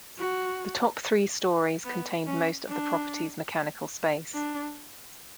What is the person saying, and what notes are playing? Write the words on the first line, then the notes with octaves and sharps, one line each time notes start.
The top three stories contained most of the property's mechanical space.
F#4
B3
C#4
D4
D4